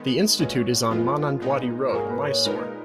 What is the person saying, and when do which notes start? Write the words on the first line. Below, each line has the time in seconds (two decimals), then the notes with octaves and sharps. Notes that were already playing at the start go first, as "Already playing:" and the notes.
The institute is on Manandwadi Road, Mysore.
Already playing: D#3 G#3 B3
0.38 A#2 G#3 C#4 F#4 B4
0.90 F#2 F3 G#3 B3 F4
1.42 A#2 G#3 B3 D#4
1.89 A#4
1.93 G#2 F#3 A#3 G#4
2.06 A#4
2.11 B4
2.28 C#5
2.45 A#2 G#3 D#4 A#4 B4